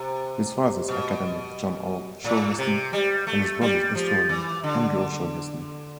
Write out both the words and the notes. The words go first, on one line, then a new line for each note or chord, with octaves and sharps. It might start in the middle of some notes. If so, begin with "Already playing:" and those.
His father is academic John O'Shaughnessy and his brother is historian Andrew O'Shaughnessy.
Already playing: C3
B2
A2
C3
G3
A3
G3
F3
E3
D3